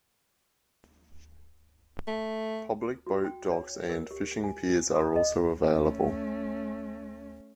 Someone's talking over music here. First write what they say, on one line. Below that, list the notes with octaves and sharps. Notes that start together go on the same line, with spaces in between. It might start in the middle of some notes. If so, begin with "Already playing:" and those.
Public boat docks and fishing piers are also available.
A3
F#4
G5
C#5
A#4
G4
G#5
D#6
D#5
A3 C#4